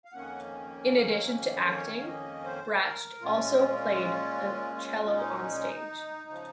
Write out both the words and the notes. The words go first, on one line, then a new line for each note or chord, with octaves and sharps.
In addition to acting, Dratch also played the cello onstage.
F5
F2 D#3 A#3 C#4 F#5
A#4
C#5
F5
D#5
C5
C5
A#4
A#2 G#3 C#4 F4
F4
F4
F4
D#4
C#3 F3